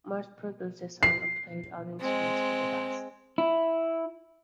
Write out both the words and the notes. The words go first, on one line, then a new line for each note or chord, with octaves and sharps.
Mars produced the song and played all the instruments but the bass.
C7
G#3 C4
E4